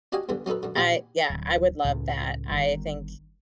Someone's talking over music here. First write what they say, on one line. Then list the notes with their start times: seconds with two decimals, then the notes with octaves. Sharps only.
uh, yeah, I would love that. I think,
0.12 D4 F#4 G4 D#5 F5 G#5
0.29 E2 G2 D3 E3
0.46 F#3 C#4 D#4 A4 B4
0.63 F#2 D3
0.76 D#2 A#2 G4 F#5 G#5 B5
1.30 D1
1.85 C#2 A2 C#3
2.51 G1 G2 D#3